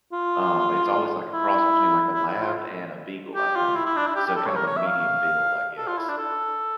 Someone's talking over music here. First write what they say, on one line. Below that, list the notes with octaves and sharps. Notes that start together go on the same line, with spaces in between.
Um, it's always like a cross between, like, a lab and a beagle, I think. So kind of a medium build, I guess.
F4
E4
E4
E4
F4
G4
F4
E4
E4
D4
E4
G4
G4
A4
C#5
A#4
C#5
E5
F5
A4
F4
E4
D4
A4